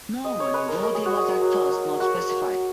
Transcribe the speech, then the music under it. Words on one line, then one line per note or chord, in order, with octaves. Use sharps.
Norman, "bodhi" was at first not specified.
G#3 D#5
C#5
G#3 B4
A#4
G#3 A#4
G#4
F#4
G#3 G#4
F#3
F#3
A#3 F#4
A#3